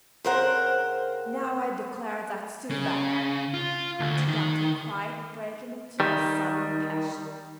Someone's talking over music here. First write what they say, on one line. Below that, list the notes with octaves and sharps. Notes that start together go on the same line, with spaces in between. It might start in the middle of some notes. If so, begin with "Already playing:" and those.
'Now I declare that's too bad!' Humpty Dumpty cried, breaking into a sudden passion.
C#3 C4 A#4 C5 F#5 A#5
C#3
F4
D2
D#3
D#3 G3